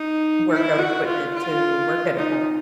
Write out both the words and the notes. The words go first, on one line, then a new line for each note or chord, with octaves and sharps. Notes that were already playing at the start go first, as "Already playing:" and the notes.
workout equipment to work at home
Already playing: D#4
E4
F#4
F4
F4
D#4